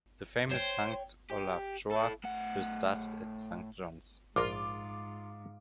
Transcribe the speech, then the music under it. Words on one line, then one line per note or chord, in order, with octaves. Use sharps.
The famous Saint Olaf Choir first started at Saint John's.
C5 C#5 G5
G4
E4 A4
A2 F#5
A#1 G#2 F4 A#4 A#5 D6